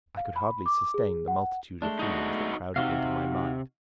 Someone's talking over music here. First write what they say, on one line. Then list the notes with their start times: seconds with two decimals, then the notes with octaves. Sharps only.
I could hardly sustain the multitude of feelings that crowded into my mind.
0.17 F5
0.36 B5
0.66 D6
0.94 G#4
1.28 F#5
1.82 G#3 A3 D4
1.99 D#4 F#4
2.76 C3 D#4 F#4 F5